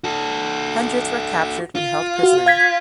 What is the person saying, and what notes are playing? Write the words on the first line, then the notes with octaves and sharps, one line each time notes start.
Hundreds were captured and held prisoner.
F#4 A4
F4
F#4
F5 G#6 B6